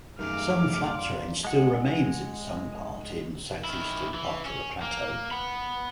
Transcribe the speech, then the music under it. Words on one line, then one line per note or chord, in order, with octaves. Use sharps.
Some flat terrain still remains in some part in southeastern part of the plateau.
F#2 D#3 G3 A3 A#3 G#4 D6 F6
D4 F4 F5
G#3 F#5
D#3 E4
E3
C#4
A#3
F#5 B5